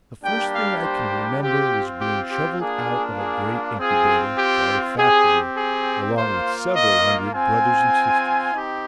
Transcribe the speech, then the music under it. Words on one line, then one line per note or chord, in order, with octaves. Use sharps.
The first thing I can remember was being shoveled out of a great incubator, called a factory, along with several hundred brothers and sisters.
G3 A#3 D4 G4 G5
F5
C5
C4 F4 G4
G4
G4
A#3 D4 F4 G#4
G#4
C4 F4 G#4
G4
C4 G4 G#4
G#4
A#3 F4 C5
D#5
C4 F4 G#5
C4 D#4 G4